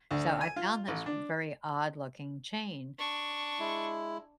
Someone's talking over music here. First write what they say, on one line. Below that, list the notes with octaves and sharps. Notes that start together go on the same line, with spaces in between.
So I found this very odd-looking chain,
D2
G#5
F4
A1
D4
D4 C#6
G#3 E4